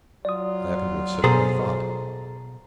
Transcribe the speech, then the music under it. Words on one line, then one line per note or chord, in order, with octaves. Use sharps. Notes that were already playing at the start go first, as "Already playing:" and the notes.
I happen to have said what I thought.
F#3 F4 D5 D#6
B2 G#4 A4 C5 A#5